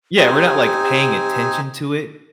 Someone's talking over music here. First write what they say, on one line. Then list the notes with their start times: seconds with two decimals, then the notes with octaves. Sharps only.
Yeah, we're not, like, paying attention to it
0.17 C4 D#4 G4 G#5